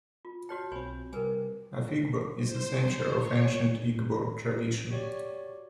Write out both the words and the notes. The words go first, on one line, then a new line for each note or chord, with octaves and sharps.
Afikpo is a centre of ancient Igbo tradition.
F4
F#4 C#5 G5 A5 F6 C7
B1 C4 C#5 G#5 B5
C3 G3 A#4 B4 G#5
C5
C#5
F#4 G4 C#5 D5